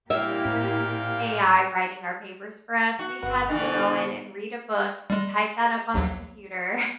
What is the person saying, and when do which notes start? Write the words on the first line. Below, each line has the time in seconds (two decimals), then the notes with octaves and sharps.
AI writing our papers for us. We had to go in and read a book and type that up on the computer.
0.10 A#2 A#3 E4 G4 E5 F5 G5
0.45 A2 C4
2.99 F#4
3.23 G1 B4 F#5
3.47 B2 D3 E3 G5
3.61 B3 C5
5.10 G3 G#3
5.94 A#1 D#2 F#3